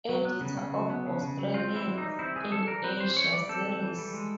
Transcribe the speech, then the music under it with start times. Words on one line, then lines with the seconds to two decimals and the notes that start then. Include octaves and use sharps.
Editor of 'Australians in Asia' series.
0.09 F#3
0.25 B3
0.41 C#3
0.57 C#3
0.74 F#3
0.90 B3
1.07 C#3
1.23 C#3
1.39 F#3
1.54 C4 F4
1.71 E3 E4
1.88 E3
1.98 D#4
2.03 G3
2.19 C4 E4
2.36 E3 G#4
2.52 E3 A4
2.68 G3 A#4
2.84 C4 B4
3.00 E3 C5
3.16 E3 C#5
3.33 G3 D5
3.49 C4 A4
3.65 E3
3.82 E3
3.98 G3
4.13 G#3